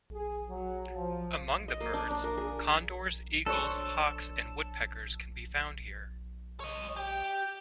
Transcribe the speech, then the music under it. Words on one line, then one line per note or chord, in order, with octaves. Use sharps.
Among the birds, condors, eagles, hawks and woodpeckers can be found here.
G#4
F#3
F3
D#5
A#3
D4
D4
A#4
G#4
D4 A4 C5 C#5
C#5 D#5
G4 G5